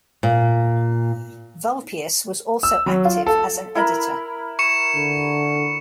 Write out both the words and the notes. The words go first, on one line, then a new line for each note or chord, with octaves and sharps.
Vulpius was also active as an editor.
A#2
E6
F#3
F4
A4
E4 A#4 B5
C#6 C#7 E7
D3